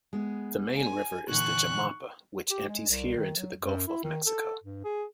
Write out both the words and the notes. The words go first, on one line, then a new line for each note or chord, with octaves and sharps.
The main river is the Jamapa, which empties here into the Gulf of Mexico.
G#3 B3
G#5
A#2 D3 E3 C#6 F#6
G4
G#3
C2
D#3
F#3
F#2
E4
D#3
A4
G2
G#4